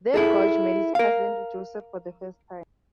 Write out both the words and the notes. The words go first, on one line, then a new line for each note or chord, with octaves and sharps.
There George met his cousin, Joseph, for the first time.
E4 G#4 A4
A#4 F5